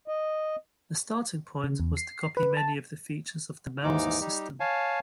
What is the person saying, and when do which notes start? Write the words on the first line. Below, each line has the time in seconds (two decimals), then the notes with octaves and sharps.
The starting point was to copy many of the features of the Mauser system.
0.08 D#5
1.64 C#3
1.80 E2
1.97 C7
2.37 B4
2.57 A5
3.84 D#2 G#2 E3 D#4 D6
4.20 G3 D#4 G4
4.60 C#5 F5 G#5 A5